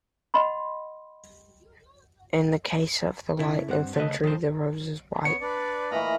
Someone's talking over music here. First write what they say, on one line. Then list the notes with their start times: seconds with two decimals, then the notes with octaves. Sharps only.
In the case of the Light Infantry, the rose is white.
0.34 D#5 F#5 B5 C6
3.39 C#3 E4 A4
3.68 G2 C4 F#5
3.96 C#3 A3 B4 D#5
4.24 D#3 F3 A4 C5
5.25 B3 C#5 C#7
5.41 D4 B4 D5
5.91 A#2 E3 A3 D#5 A#5 B5